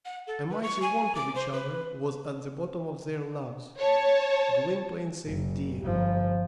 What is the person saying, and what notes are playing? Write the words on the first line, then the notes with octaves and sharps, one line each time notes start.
A mighty want of each other was at the bottom of their loves, Gwynplaine saved Dea.
F#5
A4
B4
C#6
G#5
D6
C5
B4
C#5 A5
F#1
G1 F3